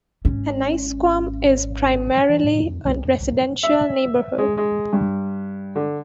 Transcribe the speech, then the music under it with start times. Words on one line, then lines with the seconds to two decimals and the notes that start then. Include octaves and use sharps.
Annisquam is primarily a residential neighborhood.
0.25 G#1 C#4
2.29 E3
2.44 A2
2.63 F2
2.85 C2
3.05 F2
3.20 C2
3.63 E5
4.38 G#3
4.57 G#3
4.93 G2
5.76 D3